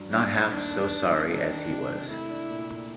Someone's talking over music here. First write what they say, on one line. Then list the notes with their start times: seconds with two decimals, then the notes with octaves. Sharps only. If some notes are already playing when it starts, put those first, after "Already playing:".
Not half so sorry as he was.
Already playing: G2 F#3
0.11 G2 D4
0.31 G2
0.51 D#2 D4
0.71 E1
0.91 E1
1.11 E1
1.30 D#3 D4
1.50 D#3
1.70 C3
1.89 C3
2.10 A3 E4
2.29 D4
2.50 A#2
2.69 A#2